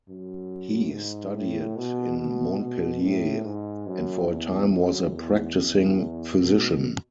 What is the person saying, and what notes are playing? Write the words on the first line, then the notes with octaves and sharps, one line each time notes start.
He studied in Montpellier, and for a time was a practicing physician.
F#2
G#2
A2
B2
B2
B2
A2
G#2
F#2
E2
F#2
E2
E2
B2